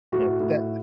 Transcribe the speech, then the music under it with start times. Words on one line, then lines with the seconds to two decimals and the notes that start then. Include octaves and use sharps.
Yep, that
0.12 A2 F#4
0.40 A2